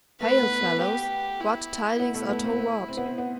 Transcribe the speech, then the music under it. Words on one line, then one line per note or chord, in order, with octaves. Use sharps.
"Hail fellows! what tidings are toward?"
A3 B4
B3
B3
G4
E4
B3 E4
A3
B3
C4
C4
B3
C4
B3